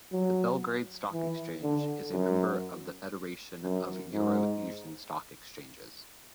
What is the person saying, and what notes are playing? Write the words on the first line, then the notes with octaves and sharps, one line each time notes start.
The Belgrade Stock Exchange is a member of the Federation of Euro-Asian Stock Exchanges.
F#3
E3
D3
F#2
F#2
G#2